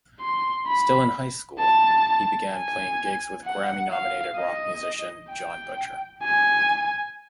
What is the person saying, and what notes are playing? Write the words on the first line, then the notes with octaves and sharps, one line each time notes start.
Still in high school, he began playing gigs with Grammy-nominated rock musician Jon Butcher.
C6
B5
A5
G#5
F#5
F5
D#5
G5
G#5